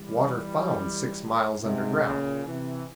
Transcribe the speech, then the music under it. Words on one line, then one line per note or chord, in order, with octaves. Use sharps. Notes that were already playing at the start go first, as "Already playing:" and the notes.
Water found six miles under ground.
Already playing: E3 G3
G#2 C3
A#2 C#3
C3 E3